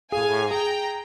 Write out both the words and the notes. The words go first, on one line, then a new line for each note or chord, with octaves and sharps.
Oh, wow.
G#4 F5 G#5
G#4 G5 A#5